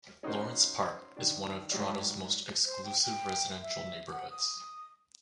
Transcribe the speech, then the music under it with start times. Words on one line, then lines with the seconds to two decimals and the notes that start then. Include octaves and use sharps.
Lawrence Park is one of Toronto's most exclusive residential neighborhoods.
0.23 C#4 D#4 F#4 A#4 C5
1.17 D#3 D4
1.72 G#2 F#3 G3 G4 C#5
2.66 C5
2.85 G5
3.03 G5
3.62 E5
4.12 F#5
4.30 D#6